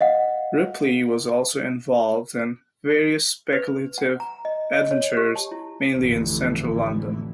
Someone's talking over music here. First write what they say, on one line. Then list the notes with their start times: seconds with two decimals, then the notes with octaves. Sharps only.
Ripley was also involved in various speculative adventures, mainly in central London.
0.01 D#5 F5 F#5
3.53 B4
3.98 F#5
4.20 A#5
4.45 D#5
4.74 D#5
4.91 C#5
5.17 G4
5.36 A5
5.51 E4
5.97 A1 F2 D3 E3